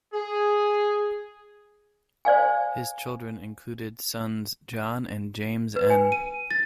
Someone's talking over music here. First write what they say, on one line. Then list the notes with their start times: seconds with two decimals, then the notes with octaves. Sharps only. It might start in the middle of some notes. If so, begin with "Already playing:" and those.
His children included sons John and James N.
0.14 G#4
2.25 C5 D5 F5 G#5
5.76 B4
5.90 G#5
6.12 D#7
6.51 A6